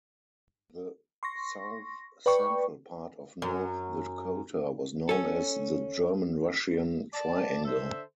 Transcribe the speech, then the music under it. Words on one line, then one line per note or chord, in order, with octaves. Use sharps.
The south-central part of North Dakota was known as "the German-Russian triangle".
C6 C#6 A#6
B4 D5 G5 C#6
F#2
C#4 A4
D5 A5
D3 A4 C5 E5